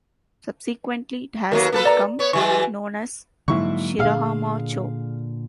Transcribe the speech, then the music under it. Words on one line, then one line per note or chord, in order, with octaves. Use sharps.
Subsequently, it has become known as Shirahama-cho.
D#2 F#3 A#3 A#4
A#3 A4 B4
D5 A#5
B3 C#5
E3 F#3 G#3 C#6
G#2 D3 F#3 A#3 E4 C#6
A#2 D3 G#4 F5